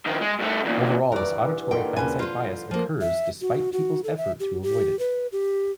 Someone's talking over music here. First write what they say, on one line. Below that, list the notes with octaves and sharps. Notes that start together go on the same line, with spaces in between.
Overall, this auditory hindsight bias occurs despite people's effort to avoid it.
D#3 F3
G#3
G2 A3
E2 A#2
G2 E3 F#4 A#4 D5
E3
A#2 D3 D#3 G5
D#2 C#3 F3 B4 G#5
F4 B4 C5
F3 A#3
E5
F#4
F#4
A4
E5
G4
G4
B4
G4